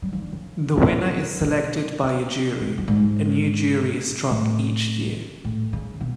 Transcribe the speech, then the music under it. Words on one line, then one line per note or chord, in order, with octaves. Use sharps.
The winner is selected by a jury; a new jury is struck each year.
F#3
F3
D3
C#3
A2
B2
G#2
F#2
G#2
A2
A2
C#3
B2